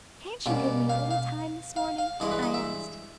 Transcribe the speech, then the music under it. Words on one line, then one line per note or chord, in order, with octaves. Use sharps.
'Can't you give me a little time this morning?' I asked.
B2 G3 A#3 C#4
F5
F5
F5
F5
G2 E3 G#3 D#5
B4
D#5
E5